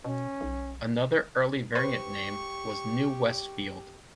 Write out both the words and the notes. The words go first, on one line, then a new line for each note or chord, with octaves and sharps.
Another early variant name was New Westfield.
B2 C#4
B1
G4 B4 C5 C#6